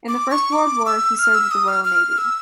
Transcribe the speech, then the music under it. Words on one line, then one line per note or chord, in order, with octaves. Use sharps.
In the First World War he served with the Royal Navy.
D6
C#6
D6
E6
F6
E6
D#6
F6
F6
E6